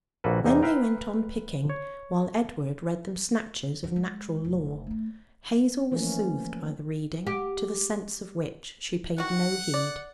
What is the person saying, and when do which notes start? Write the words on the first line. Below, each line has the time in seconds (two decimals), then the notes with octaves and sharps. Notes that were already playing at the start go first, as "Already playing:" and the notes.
Then they went on picking, while Edward read them snatches of 'Natural Law.' Hazel was soothed by the reading, to the sense of which she paid no heed.
0.24 A#1 A#3 F#4 A4 B4
0.45 E2 C3 D#4
0.62 B4 E5 F5 G5 A#5
1.70 C#5
3.84 D3 F#3
3.96 G#3
4.45 F1
4.87 A3 E4
5.91 E3 F3 A3 A#3 C#4
7.27 G4
9.18 D#3 F#4 F#5
9.74 D5